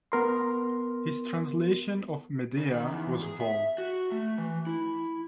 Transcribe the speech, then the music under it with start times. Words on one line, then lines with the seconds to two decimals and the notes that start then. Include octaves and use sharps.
His translation of "Medea" was vol.
0.12 B3 A#4 C6
2.57 C#3
2.72 D#3
2.91 E2
3.23 G#4
3.40 E5
3.78 F#4
4.12 A3
4.38 E3
4.67 E4